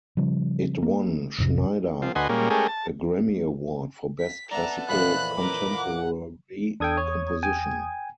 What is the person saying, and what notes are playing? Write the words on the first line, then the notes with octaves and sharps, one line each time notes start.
It won Schneider a Grammy Award for Best Classical Contemporary Composition.
C#3 F3 G3
A#3
A1 F2 C3
F3 C4
D2 F#4 B4 D#5 G#5 C6
A#2 G3 G#3 A#3 C#4
G#3 A3 C#4 G4 G#4 A#4
A5
B6
B3 D4 A4 E5 A#5
F2 A#2 E3 B5 F#6
A#4 B4 D6
F#5
E2 D4 A4 G5 D#6 G#6
C#5
G5 G#5